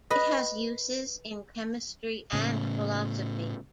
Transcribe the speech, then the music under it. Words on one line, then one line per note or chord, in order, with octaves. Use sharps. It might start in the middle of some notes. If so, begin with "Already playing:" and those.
It has uses in chemistry and philosophy.
B4 D#5
A2 C#3